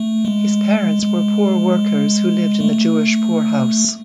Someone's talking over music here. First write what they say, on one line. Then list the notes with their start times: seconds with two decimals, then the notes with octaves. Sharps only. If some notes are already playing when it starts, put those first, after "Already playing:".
His parents were poor workers who lived in the Jewish poorhouse.
Already playing: A3
0.25 G#3
1.03 G#3
2.60 A3